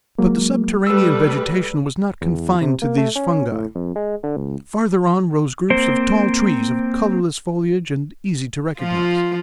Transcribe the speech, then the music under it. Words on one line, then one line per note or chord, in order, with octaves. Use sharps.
But the subterranean vegetation was not confined to these fungi. Farther on rose groups of tall trees of colourless foliage and easy to recognise.
F#3 G#3 A#3
G3 A3 B4 E6
E2
C3
A#3
A3
C#4
A2
F2
G#3
D3
C#2
A#3 C4 C5
F3 F4